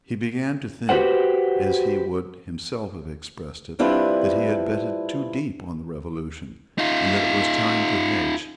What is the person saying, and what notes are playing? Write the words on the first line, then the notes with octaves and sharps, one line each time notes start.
He began to think, as he would himself have expressed it, that he had betted too deep on the Revolution, and that it was time to hedge.
F#4 G4 A4 B4 C5 F#5
G3 C4 D4 E4 F4 B4
D#4 F4